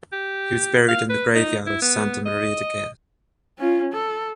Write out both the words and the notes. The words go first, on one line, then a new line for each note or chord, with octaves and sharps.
He was buried in the graveyard of Santa Maria de Guess.
G4
F5
B4
D#4
E4
B3
D#5
C#4 F4
A4